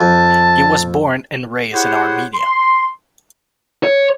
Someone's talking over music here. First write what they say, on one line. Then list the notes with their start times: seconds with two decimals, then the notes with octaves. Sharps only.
He was born and raised in Armenia.
0.01 F2 A5
1.73 E4 G4 G#4 C5 C#5 F#5
2.35 C6
3.83 C#5